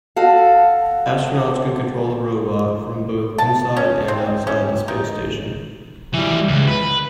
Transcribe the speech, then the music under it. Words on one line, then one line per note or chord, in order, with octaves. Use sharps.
Astronauts can control the robot from both inside and outside the space station.
F#4 A4 F5
A5
C#4
C4
C#4
D#4
E3 G3
C#2
B4